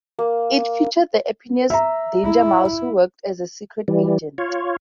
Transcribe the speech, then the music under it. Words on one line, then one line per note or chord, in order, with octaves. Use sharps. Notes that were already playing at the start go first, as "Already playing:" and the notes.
It featured the eponymous Danger Mouse who worked as a secret agent.
A#3
E5 A#5
E4
E3 G3
F4 C#5